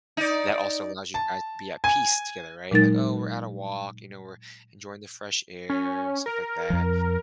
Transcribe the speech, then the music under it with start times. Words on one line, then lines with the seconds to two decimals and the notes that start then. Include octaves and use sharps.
That also allows you guys to be at peace together, right, like, "Oh, we're at a walk." You know, "We're enjoying the fresh air," stuff like that.
0.17 D#4 D5
1.14 A5
1.84 G#5
2.71 A#2 F#3 G#3 D#4 A#4 A6
5.70 C#4
6.26 A#4
6.70 F2 F3